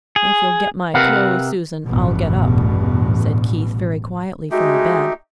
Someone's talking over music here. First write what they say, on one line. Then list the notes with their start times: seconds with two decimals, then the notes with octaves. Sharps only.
"If you'll get my clothes, Susan, I'll get up," said Keith very quietly from the bed.
0.16 G#4
0.94 C3 A#4 B4 F5 F#5
1.87 A1 E2 G2 B2
4.51 G#3 A3 D#4 F#4 G4